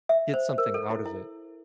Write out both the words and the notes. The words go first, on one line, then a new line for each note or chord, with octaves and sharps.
get something out of it,
E5
C5
A#4
A4
E4
E4